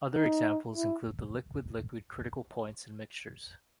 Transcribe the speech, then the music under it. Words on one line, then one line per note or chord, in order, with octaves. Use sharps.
Other examples include the liquid-liquid critical points in mixtures.
D#4
E4